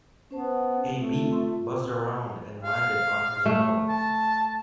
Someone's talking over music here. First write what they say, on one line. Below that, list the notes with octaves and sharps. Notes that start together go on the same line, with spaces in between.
A bee buzzed around and landed on his nose.
B3 C#4 C5 A5
A3 C4 F4
F4 C6
F5
A3
A5